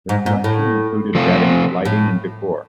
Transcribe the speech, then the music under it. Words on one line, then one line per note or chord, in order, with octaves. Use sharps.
The collection included bedding, lighting, and decor.
G#2
G#2
A2
F3 A3 C4 F4
A2